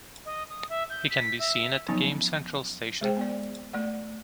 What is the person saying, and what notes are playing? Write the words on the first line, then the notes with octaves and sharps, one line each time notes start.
He can be seen at Game Central Station.
D#5
D#6
E5
G6
B6
E5
F3 F#3 B3 C#4 D#4
G#3 G#4 C5 G5
B3 D5
A3 D5 F#5